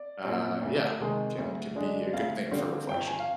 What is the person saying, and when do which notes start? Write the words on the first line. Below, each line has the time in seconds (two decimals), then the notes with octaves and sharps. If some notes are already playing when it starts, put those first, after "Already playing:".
uh, yeah, can can be a good thing for reflection.
Already playing: D5
0.24 A#2 G3 C4
0.61 D2
1.00 C3 D#3 G#3
1.38 D2
1.76 D3 G#3 D4
2.13 D2 F5
2.51 D3 G3 C4
2.89 G1 G5
3.08 G#5
3.20 F5